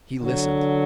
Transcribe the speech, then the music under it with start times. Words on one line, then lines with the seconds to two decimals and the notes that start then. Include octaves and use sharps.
He listened.
0.23 D3 F#3